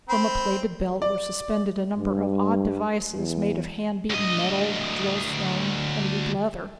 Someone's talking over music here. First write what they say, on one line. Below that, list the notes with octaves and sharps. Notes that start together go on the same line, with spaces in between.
From a plaited belt were suspended a number of odd devices made of hand-beaten metal, drilled stone and looped leather.
C4 B5
D5
G2
E2
D2 D#5